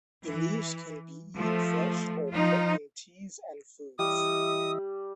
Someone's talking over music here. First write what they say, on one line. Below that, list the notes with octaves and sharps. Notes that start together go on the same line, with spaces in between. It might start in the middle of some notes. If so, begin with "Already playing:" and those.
The leaves can be eaten fresh or put in teas and foods.
E3
F3 A3
F3 D#4 F4
E3 G3 D#5 E5 D#6